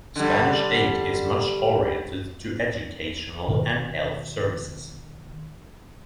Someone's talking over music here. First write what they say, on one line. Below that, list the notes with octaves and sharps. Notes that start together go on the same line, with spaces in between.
Spanish aid is much oriented to educational and health services.
D3 G3
B2 D#3